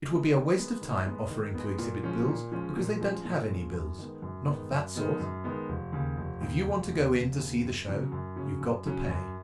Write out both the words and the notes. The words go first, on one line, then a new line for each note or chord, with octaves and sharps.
It would be a waste of time offering to exhibit bills, because they don't have any bills--not of that sort. If you want to go in to see the show, you've got to pay.
G#3 B3
D#3
G#3 B3
D#3
G#3 B3
D#3
G#3 B3
A#2
F3 G#3 C#4
A#2
F3 G#3 C#4
A#2
F3 G#3 C#4
A#2
F3 G#3 C#4
F#2
D#3 G#3 B3
F#2
D#3 G#3 B3
F#2
D#3 G#3 B3
F#2
D#3 G#3 B3
F1
D#2 C#3
F1
D#2 C#3
F1
D#2 C#3
F1
D#2 C#3
F#2
C#3 F#3 C#4
F#2
C#3 F#3 C#4
F#2
C#3 F#3 C#4
F#2